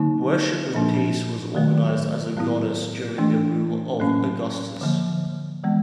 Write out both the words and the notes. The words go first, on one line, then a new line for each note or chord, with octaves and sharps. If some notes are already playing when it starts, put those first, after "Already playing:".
Worship of Peace was organized as a goddess during the rule of Augustus.
Already playing: D3 F#3 A#3 D#4
A#2 F3 A#3 D4
D#3 F#3 A3
A2 F#3 B3 E4
E3 A3 D4
A2 F#3 A#3 C#4
D3 F3 A#3
E3 G#3 B3